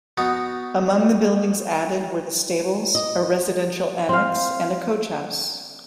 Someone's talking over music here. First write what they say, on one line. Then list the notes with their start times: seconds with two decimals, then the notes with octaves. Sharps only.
Among the buildings added were the stables, a residential annex and a coach house.
0.18 B3 D#4 F#4 A5 A#5
2.95 D#5
4.09 C4 F5